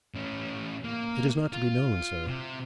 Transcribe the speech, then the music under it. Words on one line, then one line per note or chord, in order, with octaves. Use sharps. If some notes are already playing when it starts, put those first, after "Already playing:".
'It is not to be known, sir.
A2 C#4
A#3
F4
C3